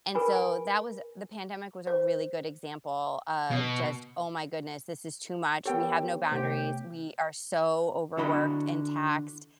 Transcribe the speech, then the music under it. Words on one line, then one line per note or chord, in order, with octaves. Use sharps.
and so, that was a The pandemic was a really good example of just, "Oh my goodness, this is too much, we have no boundaries, we are so overworked and taxed.
G#4 A#4 B4 G#5 B5
G#5
C5
B2
B3 G4 A4 A#4 C#5 G5
C3 A3 G4 C5 G5
D3 E4 F#4 D#5 B5